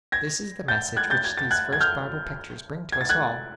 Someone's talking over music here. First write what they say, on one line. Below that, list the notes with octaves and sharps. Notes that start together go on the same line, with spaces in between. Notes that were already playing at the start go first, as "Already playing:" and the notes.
This is the message which these first Bible pictures bring to us all.
G#6 A#6
G6 A6
F#6 G#6
G6 A6
G#6
A6
F#6 G#6
G#6
F6 G6
G#6
A6
F#6 G#6